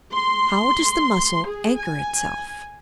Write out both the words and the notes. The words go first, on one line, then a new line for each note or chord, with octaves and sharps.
How does the Mussel anchor itself?
C6
G#4
G#5